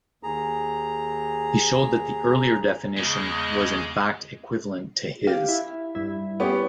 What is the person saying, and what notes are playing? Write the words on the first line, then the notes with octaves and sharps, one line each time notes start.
He showed that the earlier definition was in fact equivalent to his.
D#2 G#4 A#5
E2 C#3 G#3 D#5
G4 F5
E4
G2 E4
B3 C#4 G4